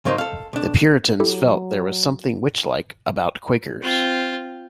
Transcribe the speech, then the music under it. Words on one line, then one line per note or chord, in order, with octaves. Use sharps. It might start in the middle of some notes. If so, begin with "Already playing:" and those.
The Puritans felt there was something "witchlike" about Quakers.
G#2 F#3 A#3 D#4 C5
A4 F5
B1 D4
F#3 E4 G4 A4
C4 F4